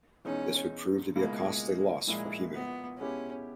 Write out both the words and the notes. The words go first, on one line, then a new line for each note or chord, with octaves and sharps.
This would prove to be a costly loss for Hemu.
E2 B2 G#3 B3 C#4 D#4
C#2 B2 G#3 A#3 E4
A#1 A#2 G#3 A#3 E4
B3
B2 G#3 B3 C#4 E4 G4